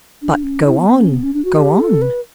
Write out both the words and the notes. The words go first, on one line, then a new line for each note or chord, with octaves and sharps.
But go on, go on.
D4
C#4
E4
B3
B3
C#4
B3
C#4
D4
F#4
G4
A4
B4